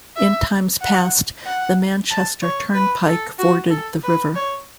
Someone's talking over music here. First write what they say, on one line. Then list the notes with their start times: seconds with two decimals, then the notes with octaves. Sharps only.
In times past the Manchester Turnpike forded the river.
0.17 E5
0.81 F#5
1.46 F#5
2.11 A5
2.42 C#5
2.74 B4
3.07 A4
3.39 F#4
3.71 A4
4.03 B4
4.36 C#5